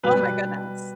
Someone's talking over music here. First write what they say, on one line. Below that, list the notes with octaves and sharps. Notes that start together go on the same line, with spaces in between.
Oh my goodness.
B2 G3 B4